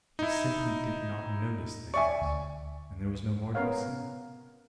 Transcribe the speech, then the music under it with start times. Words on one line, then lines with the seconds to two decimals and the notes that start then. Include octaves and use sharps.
He simply did not notice things, and there was no more to be said.
0.19 D#4 E4
1.94 D5 E5 G#5 C#6
2.21 D2
3.54 B3 C#4 A#4 C#5 F5 F#5